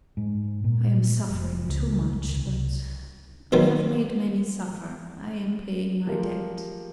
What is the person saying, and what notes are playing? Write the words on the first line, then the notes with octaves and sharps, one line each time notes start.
I am suffering too much, but--I have made many suffer, I am paying my debt!
G#2
A#2
F1
C#2
C#2
C2
B2 D#3 F#3 B3
F3 A3 G4 G#4 A#4